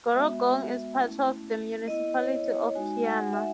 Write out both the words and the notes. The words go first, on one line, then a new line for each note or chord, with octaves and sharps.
Gerringong is part of the Municipality of Kiama.
G#3 B3 F#4 E5
A3 C#4 E4
B3 E4 D#5
C#5
C#5
G#3 D#4 F#4 G#5
F#5
E5